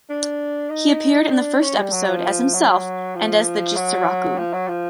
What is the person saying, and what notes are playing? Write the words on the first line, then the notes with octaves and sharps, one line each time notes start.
He appeared in the first episode, as himself and as the Jitsuroku!
D4
D#4
D4
C#4
G3
F#3
F3
F#3
F3
F#3
F3
F#3
F3